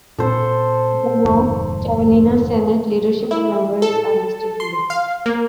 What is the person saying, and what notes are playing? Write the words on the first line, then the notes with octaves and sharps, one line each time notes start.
The North Carolina Senate leadership and members are listed below.
A#2 C4 A4 C5
F1 D#2 G#2
E4
A4
C6
F5
A#3